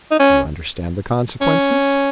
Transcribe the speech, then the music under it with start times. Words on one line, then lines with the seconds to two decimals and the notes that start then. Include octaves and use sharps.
"Do you understand the consequences?"
0.11 D#4
0.20 C#4
1.41 C#4